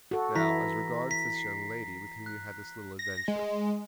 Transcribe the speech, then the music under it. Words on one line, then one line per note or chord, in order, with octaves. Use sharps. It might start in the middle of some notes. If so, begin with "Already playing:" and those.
Now, as regards this young lady, with whom you had this little adventure.
F#4 A4
E3 E4 A#5 A#6 B6
B6
C7
F#6
A#6
G#3